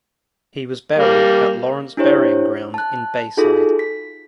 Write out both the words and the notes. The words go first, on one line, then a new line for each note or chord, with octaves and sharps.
He was buried at Lawrence Burying Ground in Bayside.
G3 A#3
D4 E4 G4 C5 C#5
A5 F#6
D#4 F4 F#4 G#4 A4
B6